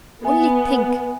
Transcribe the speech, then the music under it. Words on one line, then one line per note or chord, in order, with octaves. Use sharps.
Only think!
B3 B4 E5 G#5